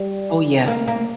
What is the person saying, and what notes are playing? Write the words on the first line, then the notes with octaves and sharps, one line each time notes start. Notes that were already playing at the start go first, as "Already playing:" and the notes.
Oh, yeah.
Already playing: G3
A#3
A#3